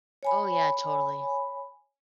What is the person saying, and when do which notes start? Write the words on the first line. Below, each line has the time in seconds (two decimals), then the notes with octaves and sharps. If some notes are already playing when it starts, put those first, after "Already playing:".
Oh, yeah, totally.
0.23 C#5 G#5 B5